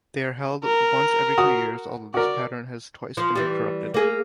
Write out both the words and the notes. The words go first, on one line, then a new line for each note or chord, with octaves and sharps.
They are held once every two years, although this pattern has twice been interrupted.
A#4
F#4 D#6
F#4 A#4 D5
F3
E3 G3
A#3 G#4